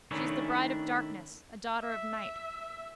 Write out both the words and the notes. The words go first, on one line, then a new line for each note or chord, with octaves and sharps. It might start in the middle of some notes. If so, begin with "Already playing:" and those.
She is the bride of darkness, a daughter of night.
D#3 A3 C#4 D4 E4
E5